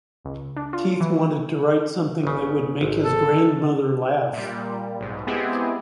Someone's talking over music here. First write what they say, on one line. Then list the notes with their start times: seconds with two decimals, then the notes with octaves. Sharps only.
Keith wanted to write something that would make his grandmother laugh.
0.25 C#2
0.57 D4
0.73 F4
1.00 E3
2.23 G1 C#3
2.81 G#1
3.04 A4
4.33 A#2 G3
5.00 B1 G#2
5.27 G#3 B3 C4 E4 G4 G#4